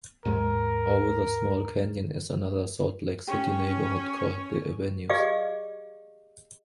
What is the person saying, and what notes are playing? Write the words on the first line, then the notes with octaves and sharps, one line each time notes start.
Over the small canyon is another Salt Lake City neighborhood called "the Avenues".
D#2 G#2 G#3 A#4
C#4 G4 C#5
G4 G#4 D5 D#5 F5 D6